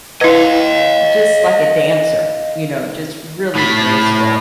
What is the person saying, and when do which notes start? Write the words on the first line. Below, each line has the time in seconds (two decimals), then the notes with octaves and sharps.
just like a dancer. You know? Just really graceful.
0.21 E4 B4 D#5 F5
3.56 A2 B5